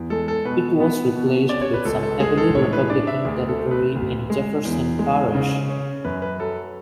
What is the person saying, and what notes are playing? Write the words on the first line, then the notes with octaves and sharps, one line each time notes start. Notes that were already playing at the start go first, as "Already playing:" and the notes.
It was replaced with some heavily Republican territory in Jefferson Parish.
Already playing: E2
G#3 A4
A4
B2 B4
B3
B2
C#4 D5
C#5
B4
C#2 A4
A4
G#3 G#4
A4
A2 C#5
B4
D4 D5
E5
D2 G#4
A4
A3
B4
D2
G#3
E2
G#3
C#3
C#4
F#2 B4
B4
F#3 A4